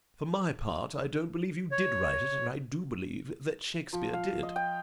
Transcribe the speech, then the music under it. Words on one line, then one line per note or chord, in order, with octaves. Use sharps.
For my part, I don't believe you did write it, and I do believe that Shakespeare did.
C#5
F3
F5
D#5
G5